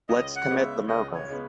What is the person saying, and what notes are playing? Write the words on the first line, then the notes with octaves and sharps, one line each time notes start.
Let's commit the murder.
C#2 D#5
F#5
C#3 G#3 B3
E5
C#2 D#5
C#5
C#3 G#3 B3